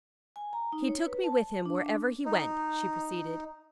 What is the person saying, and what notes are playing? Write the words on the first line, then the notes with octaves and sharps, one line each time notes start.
"He took me with him wherever he went," she proceeded.
G#5
A#5
D#4
C#5
B4
A5
D4
D#4